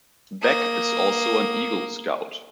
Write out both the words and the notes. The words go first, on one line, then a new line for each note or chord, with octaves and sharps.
Beck is also an Eagle Scout.
A#3 D#6